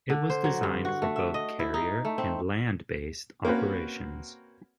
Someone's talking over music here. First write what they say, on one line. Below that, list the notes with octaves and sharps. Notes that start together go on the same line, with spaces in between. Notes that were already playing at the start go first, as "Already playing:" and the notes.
It was designed for both carrier- and land-based operations.
D3
C5
F#3
G2
F#4
A3
E5
D#5
E4
D#4
A3
C4
A#3 C4 C#4 F#4 B4